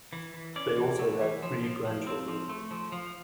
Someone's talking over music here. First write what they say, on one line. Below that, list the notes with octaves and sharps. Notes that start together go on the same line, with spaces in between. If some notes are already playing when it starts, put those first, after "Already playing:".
They also had three grandchildren.
E3
E3
C#4 D5
E3
A3
E3
F3
F3
F3
C4
F3
A3
F3
F3